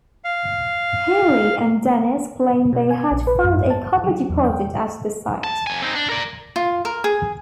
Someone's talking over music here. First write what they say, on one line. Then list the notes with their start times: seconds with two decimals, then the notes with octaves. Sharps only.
Healy and Dennis claimed they had found a copper deposit at the site.
0.24 F5
2.73 B2
2.91 G#5
3.11 A#1
3.27 B4
3.44 F#2
3.55 G#2
3.70 A5
4.04 F#3
4.30 E2
4.45 G5
5.44 A5
5.67 F2 G#5
5.82 C4 D#4
5.95 D4
6.09 A#4 D5
6.56 F4
6.85 A#4
7.04 G#4